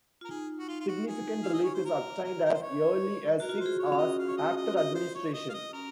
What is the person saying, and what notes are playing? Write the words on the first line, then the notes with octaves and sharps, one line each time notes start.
Significant relief is obtained as early as six hours after administration.
F4
A#4
D#4 G#4
F#4
D#4 F4
F4
F#4
G#4
F5
D#5
C#5
C5
A#4
A#4
A#4
C5
C#5
F#4 A#4
F4
F#4 C5
G#4
C#5
C#4
D#5
F5
C#5
D#5
D#5
D#5
C5
C#5
D#5
F5
D#5
C#4 A#4